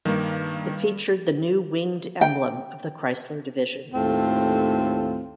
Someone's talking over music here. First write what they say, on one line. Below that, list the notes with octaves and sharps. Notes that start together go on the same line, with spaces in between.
It featured the new winged emblem of the Chrysler division.
G2 D#3 A#3
G5
D#2 A2 C4 F4 A4